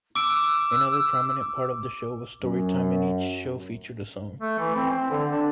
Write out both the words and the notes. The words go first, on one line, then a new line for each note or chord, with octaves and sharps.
Another prominent part of the show was story-time and each show featured a song.
D6 E6 D7
F#2
A3
E3
C4
C4
D3
D4